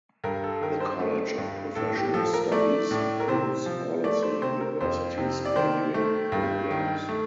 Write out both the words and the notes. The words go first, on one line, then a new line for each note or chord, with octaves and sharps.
The College of Professional Studies includes all of the university's graduate programs.
G2 A#4
A4
D#3 A#4
C5
A3
G2
A2 A4
G4
F3 A4
A#4
A3 D5
A2
A#4
C3 C5
F3
A3 D5
C5
C3 C5
A#4
F2 C5
C3
D5
D#3 C5
A3
G2
D#3
A3